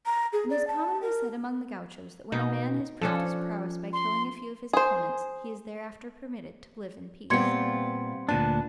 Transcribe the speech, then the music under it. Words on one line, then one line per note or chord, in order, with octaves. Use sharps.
It is commonly said among the gauchos that when a man has proved his prowess by killing a few of his opponents, he is thereafter permitted to live in peace.
A#5
G#4
D5
A5
A#4
B2 D#4
F3 C#4 D4 A4
C6
G#4 C5
A#2 G3 B3 C4 F4 C6 G#6 C#7
D2 A#2 D4 B4 A5